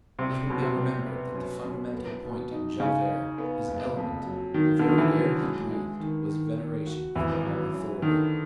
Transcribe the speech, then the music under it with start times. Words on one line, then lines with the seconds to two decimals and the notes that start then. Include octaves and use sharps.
It will be remembered that the fundamental point in Javert, his element, the very air he breathed, was veneration for all authority.
0.19 C3 G3
0.47 F#2 B2
0.62 C3
0.76 G3
1.06 B3
1.34 F#2
1.63 F#2
1.93 B3
2.22 B2
2.51 D#4
2.80 C#3 D#4
3.09 D#4
3.38 B3
3.68 F#1
3.97 F2
4.25 F#3
4.54 D#3 F#3
4.79 D3 F#3
4.89 D#3
4.98 E3
5.12 F#3
5.41 G#3
5.71 G#3
6.00 D#3
6.29 D#3
6.57 D#3
6.87 F#4
7.15 G#1 E3
7.45 F#3
7.74 F#2
8.02 D3 D#3